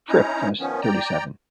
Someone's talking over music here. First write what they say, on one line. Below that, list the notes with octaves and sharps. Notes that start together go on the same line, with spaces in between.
Fripp was thirty-seven.
C#4 D#4 E4 A#5
D#3 F3 B3 C#4
D5 G5 A#5